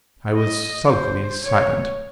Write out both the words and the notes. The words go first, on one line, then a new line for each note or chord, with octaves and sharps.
I was sulkily silent.
D#5
C5
C#5